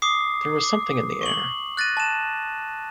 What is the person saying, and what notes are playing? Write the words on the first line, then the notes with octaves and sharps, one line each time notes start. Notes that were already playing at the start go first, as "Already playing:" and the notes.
There was something in the air.
D6 D#6 C7
D6
C#6 F#7
F#6 A6 A#6 D#7
A5 E7